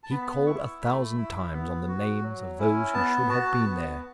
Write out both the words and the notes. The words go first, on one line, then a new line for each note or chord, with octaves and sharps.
He called a thousand times on the names of those who should have been there.
A5
B3 B5
E4 C#6
A3 B5
E4
B3
F#4
F#3
C#4 E4
B3 A5
F#4 A5
B3